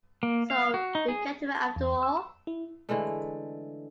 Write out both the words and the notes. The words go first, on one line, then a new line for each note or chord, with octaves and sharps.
So you kept him after all?
A#3
F5
F#4
D#4
G#4
A5
E2
E6
E4
D3 E3 G#3 A3